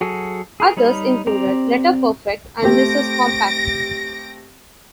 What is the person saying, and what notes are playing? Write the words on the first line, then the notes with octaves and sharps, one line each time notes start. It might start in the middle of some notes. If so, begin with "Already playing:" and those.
Others included LetterPerfect and Nisus Compact.
F#3 F#4 G#4 A4
G#4 A#4
G3 D#4 C#5 B5 F6
C4 G4 D5 A#5
A3 C4 G4 A#6 D7